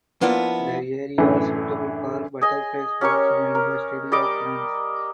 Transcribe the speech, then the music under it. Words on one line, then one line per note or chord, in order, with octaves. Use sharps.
The area suitable for butterflies watching and the study of plants.
F3 A#3 B3 D4 E4 F4
F#2 A2 D3 E3
G#4 D#5 G#5
C#4 G4 A#4 C#6
A#4
G3 D#5 D6